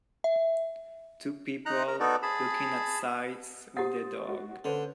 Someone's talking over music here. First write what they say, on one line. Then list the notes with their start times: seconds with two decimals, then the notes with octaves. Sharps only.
Two people looking at sights with their dog.
0.24 E5
1.66 D#4 A#5 F#6
1.88 A#4
2.00 B3 D#4 F#4 A4 D5
2.23 G#4 A5 B5
3.77 G4 C5 F#5 D#6 A6
4.29 F#4
4.64 D3 C#4 B4 C5